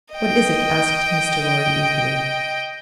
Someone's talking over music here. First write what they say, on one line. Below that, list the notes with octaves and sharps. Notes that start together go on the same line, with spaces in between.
"What is it?" asked Mr. Lorry, eagerly.
D#5 G5